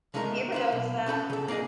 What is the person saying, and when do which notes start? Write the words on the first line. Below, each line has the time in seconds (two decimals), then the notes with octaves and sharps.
Have you ever noticed that?
0.14 D3 G#3 A3 D#4 A#4
0.52 B4 C5 E5
0.72 B1
1.06 B3 C#4 A4 B5
1.30 C#3 A4
1.48 A#3 D4 G#4 D#5